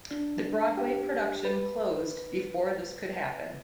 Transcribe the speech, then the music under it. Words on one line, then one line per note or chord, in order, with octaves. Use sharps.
The Broadway production closed before this could happen.
D4
G4
B4